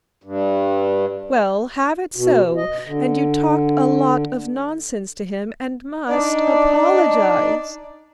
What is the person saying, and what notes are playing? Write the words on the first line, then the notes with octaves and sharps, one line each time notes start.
"Well, have it so, and you talked a lot of nonsense to him and must apologize."
G2
B2
D#5
D3
D4 D#4 D5